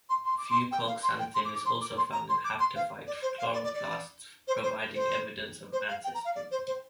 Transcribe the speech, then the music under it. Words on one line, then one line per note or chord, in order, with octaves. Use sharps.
Fucoxanthin is also found in haptophyte chloroplasts, providing evidence of ancestry.
C6
C6
D6
C6
G5
F5
C6
G5
C6
D6
D6
C6
D6
C6
A#5
C6
D6
C6
F5
D5
C5
F5
D5
D5
D5
C5
C5
C5
C5
F5
G5
A#5
F5
D5
C5
C5